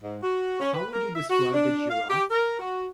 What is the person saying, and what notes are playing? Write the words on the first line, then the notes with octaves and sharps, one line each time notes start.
How would you describe a giraffe?
G#2
F#4
C#4
B4
A#4
E5
F#4
D4
F5
G4
A#4
F#4